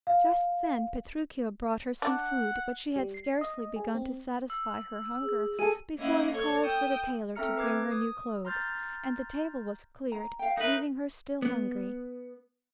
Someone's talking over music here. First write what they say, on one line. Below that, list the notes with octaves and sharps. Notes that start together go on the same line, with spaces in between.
Just then Petruchio brought her some food--but she had scarcely begun to satisfy her hunger, before he called for the tailor to bring her new clothes, and the table was cleared, leaving her still hungry.
F5
D4 F#5
G3
C7
D#5
G#4
C4
E6
G#4
G#4 A4 D#7
A#3 C#4 E4 D#5 F#5
A4 C#5 C#6 G#6
G5 D#6 E6
C4 A4 E5 A#5 F6 C#7
B4 D6 G#6
D#6
A#5 C6 F6 G6 A6
A#5
F5 G5
D#4 A#4 B4 E5
B3